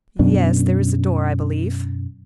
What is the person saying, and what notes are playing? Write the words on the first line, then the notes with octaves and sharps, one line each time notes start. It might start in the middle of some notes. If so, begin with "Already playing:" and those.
"Yes, there is a door, I believe."
F#2 B2 D4